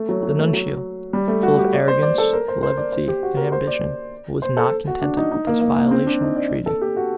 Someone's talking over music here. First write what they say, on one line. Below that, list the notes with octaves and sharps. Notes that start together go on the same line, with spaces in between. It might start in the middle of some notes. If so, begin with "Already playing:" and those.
The nuncio, full of arrogance, levity, and ambition, was not contented with this violation of treaty.
Already playing: A3
F#3
F#3
A3
F#3
G3
A3
F#4
G4
D5
C5
D5
A4
A#4
C5
C5
D5
C5
G4
F#4
A#4
C5
D5
C5
A4
F#4
D4
D#4
D#4
A#3
A#3
A#3
C4
D4
D#4
D5
A4
G4
F#4